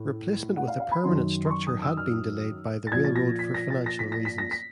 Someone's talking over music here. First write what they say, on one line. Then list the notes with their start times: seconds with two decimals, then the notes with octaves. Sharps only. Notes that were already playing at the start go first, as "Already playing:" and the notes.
Replacement with a permanent structure had been delayed by the railroad for financial reasons.
Already playing: A2
0.57 F#5
0.68 F5
0.80 F5
0.92 B5
1.04 F#2 D#3 F#3 C6
1.45 C6
1.50 C#6
1.67 D#6
1.82 E6
1.97 F6
2.87 A6
2.92 A#2 F3 G#6
3.04 A6
3.16 A#6
3.39 B6
3.54 A#6
3.70 A6
3.86 A#6
3.99 B6
4.12 A#6
4.25 B6
4.38 A#6
4.51 B6